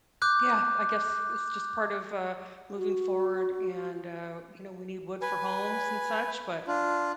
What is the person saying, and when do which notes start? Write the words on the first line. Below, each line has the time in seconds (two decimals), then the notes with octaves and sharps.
yeah, I guess it's just part of, uh, moving forward and, uh, you know, we need wood for homes and such, but,
0.22 D6 F#6 G6
2.77 F#4
5.22 B4 G#5
6.67 D4 F4